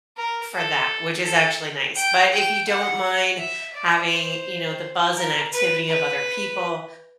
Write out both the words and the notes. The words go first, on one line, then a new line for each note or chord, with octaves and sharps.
for that, which is actually nice; but if you don't mind having, you know, the buzz and activity of other people,
A#4
A4
A4
G5
G5
F#5
E5
D5
C5
A#4
B4
B4